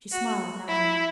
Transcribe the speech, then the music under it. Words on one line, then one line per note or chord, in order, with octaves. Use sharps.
She smiled now and then.
F#4
E4